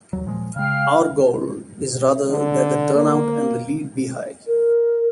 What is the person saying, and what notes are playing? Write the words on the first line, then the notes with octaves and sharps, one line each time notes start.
Our goal is rather that the turnout and the lead be high.
D#2 F#3
A#2 F3 G#3
C#3 G#3 F5 G5 F6
D3
A#3
A#4